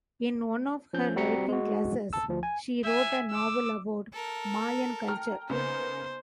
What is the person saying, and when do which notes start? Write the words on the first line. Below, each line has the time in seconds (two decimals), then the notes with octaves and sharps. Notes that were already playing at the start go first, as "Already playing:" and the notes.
In one of her writing classes, she wrote a novel about Mayan culture.
0.93 F3 C#4 G6
1.16 G3 C4 F#4 A#5 B6 C#7
1.49 G#3 F#4
2.13 A5 E6
2.28 D2 F3
2.43 G#5
2.84 E5 G#5
3.31 D6 E6
4.13 A4 A#4
5.07 G5 A#5 F6
5.50 C#3 A#3 B3 D#4 C5